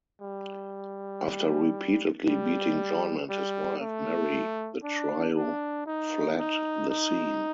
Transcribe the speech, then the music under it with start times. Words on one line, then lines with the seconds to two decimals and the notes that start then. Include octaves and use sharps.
After repeatedly beating John and his wife Mary, the trio fled the scene.
0.22 G3
2.27 G3
3.30 G3
3.81 A3
4.84 D4
5.35 D4
5.86 D#4
6.39 D#4
6.90 D#4